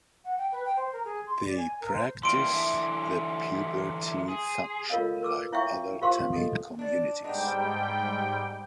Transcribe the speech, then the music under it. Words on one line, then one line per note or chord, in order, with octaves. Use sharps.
They practice the puberty function like other Tamil communities.
F#5
G5
B4
G5
C5
A#4
G#4
C6
D5
G#5
A#4
C5
E3 G3 A#3 C6 D7
D3 E3 E4
G#4
F4 A4 A#4 C#5 D#5 F5
A#4 B4 D6 E6
E4 C#5 E5 F5 G5 C#6
F4 G4 A#4 C5 F5 C6
A4 D#5
D4 D5
G#2 G3 B3 D4 D#4 G5